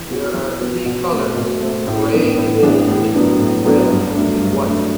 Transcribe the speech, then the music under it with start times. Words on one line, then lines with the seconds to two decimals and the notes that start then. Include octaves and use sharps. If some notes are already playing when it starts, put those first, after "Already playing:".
There are three colors: gray wold, red, and white.
Already playing: E3
0.09 B3 F#4
0.34 E3
0.59 B3 F#4
0.86 B2
1.10 A3 C4
1.36 B2
1.61 A3 C4
1.87 A2
2.12 E3 B3 D4
2.38 A2
2.63 E3 B3 D4
2.88 A2
3.14 F#3 B3 D4
3.40 A2
3.65 F#3 B3 D4
3.89 G2
4.15 F#3 A3 D4
4.40 G2
4.67 F#3 A3 D4